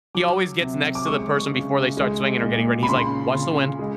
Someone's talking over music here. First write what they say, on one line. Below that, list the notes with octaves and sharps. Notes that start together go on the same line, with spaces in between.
he always gets next to the person before they start swinging or getting ready. He's like, "Watch the wind."
F#3 D6
C3
D6
G#3 C#6
C#3
G#3
A#2
B5
C#3 C6
C#3
G#3